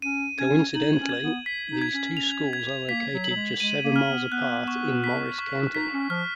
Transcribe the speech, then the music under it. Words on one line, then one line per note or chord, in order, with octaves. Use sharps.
Coincidentally, these two schools are located just seven miles apart in Morris County.
C#4 D#7
C#4 G#6
D#4 F#7
C#4
G#6
B3
B6
D#4
G#6
C#4
F7
G#6
A#3 B6
F#3
F#7
F#3
G#3
G#3 D#7
A#3
F6
B3
B3 F#6
C#6
B6
C#6
D#4 B6
C#4
F3 F6